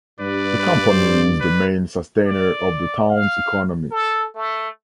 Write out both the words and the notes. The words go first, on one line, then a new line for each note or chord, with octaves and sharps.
The company is the main sustainer of the town's economy.
G2 B4 D5
B4
C5
B4
D5
F5
A4
A3